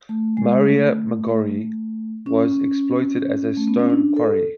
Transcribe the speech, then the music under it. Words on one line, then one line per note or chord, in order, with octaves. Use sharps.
Maria Maggiore was exploited as a stone quarry.
A3
G#3
A3
C#4
A3
B3
C#4
D4
A4